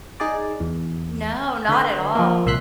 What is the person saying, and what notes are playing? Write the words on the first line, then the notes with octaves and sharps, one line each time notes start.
No, not at all.
D#4 G#4 D5
E2
D3 B4
F3 A#3
C2 A#2 E5 C6 F#6 B6